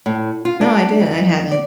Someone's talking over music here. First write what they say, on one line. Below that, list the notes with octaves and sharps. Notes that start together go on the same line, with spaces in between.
No, I didn't I haven't.
A2
F4
D4
F2
D5